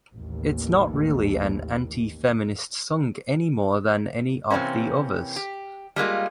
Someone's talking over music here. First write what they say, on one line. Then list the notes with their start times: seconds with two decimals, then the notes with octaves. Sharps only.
It's not really an anti-feminist song any more than any of the others...
0.15 A1 D#2
4.50 C3 E3 A#3 C4 C#4
5.36 G4
5.96 G3 G#3 A#3 F4